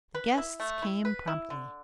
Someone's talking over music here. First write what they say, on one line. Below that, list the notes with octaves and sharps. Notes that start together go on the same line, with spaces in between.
The guests came promptly.
B4
E4
A3
E4
B4
E4
D3